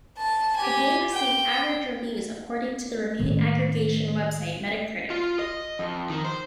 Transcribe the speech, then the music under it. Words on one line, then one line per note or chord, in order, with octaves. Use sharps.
The game received "average" reviews according to the review aggregation website Metacritic.
A5
G4 G#5
G5
A2 D#3
F4
D#5
F2
D#3
C5